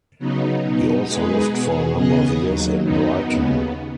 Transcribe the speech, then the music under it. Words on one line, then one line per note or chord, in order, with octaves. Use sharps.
He also lived for a number of years in Brighton.
C#3 F#3 B3 D#4
B2 B3 D#4
G#3 D#4 G#4 B4
B2 B3 G#4
C#3 B3 G#4 D#5
D#2 D#3 F#3
F#2 D#3 F#3 B3 D#4
D#2 C#3 B3